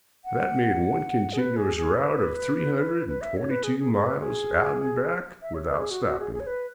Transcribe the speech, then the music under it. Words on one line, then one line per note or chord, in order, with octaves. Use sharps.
That made one continuous route of three hundred and twenty-two miles out and back without stopping.
F#5
G#4
B4
G#4
G#4
B4
B4
E5
C#5
B4
G#4
G#4
G#4
B4
G#4
E5
C#5
B4
G#4
F#4
F#4
G#4
G#4
C#5
B4